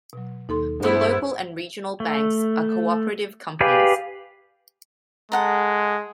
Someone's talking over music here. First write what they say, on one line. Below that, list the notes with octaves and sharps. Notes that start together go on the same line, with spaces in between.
The Local and Regional Banks are cooperative companies.
B2 F#3
D#2 D#4 A4 C6
G2 B3 E4 G#4 C5 F#5
A3
G4 G#4 B4 D5 F5
G#3 A4 F#5 A#5